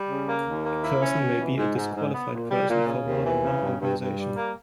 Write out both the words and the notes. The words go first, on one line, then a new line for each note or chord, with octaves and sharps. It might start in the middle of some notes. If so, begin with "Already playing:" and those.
A person may be a disqualified person for more than one organization.
Already playing: G3
C#3
A#3
D#2
A#3
E4
C#4
B2
E3
G#2
G#2
G#2
B3
A#2
G3
A#2
C#3
D#2
E3
C#3
G2
G2
G2
G3
A#3